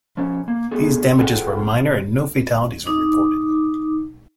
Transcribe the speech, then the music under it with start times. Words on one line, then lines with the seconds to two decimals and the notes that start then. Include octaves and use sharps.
These damages were minor, and no fatalities were reported.
0.17 F3 C#4
0.48 A#3
0.71 A3 B3 G4 G#4
1.19 C4 F4 G#4 A4 F#5 G5
1.85 C3
2.86 D#4 D6